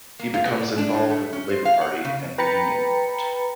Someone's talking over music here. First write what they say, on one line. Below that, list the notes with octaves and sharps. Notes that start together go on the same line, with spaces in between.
He becomes involved with the Labour Party and the union movement.
A#3
F4
B3
D5
D4
A2
A3
C#4
C5
F5
F#5
C#3
B4 G5 A#5 B5 A6 C#7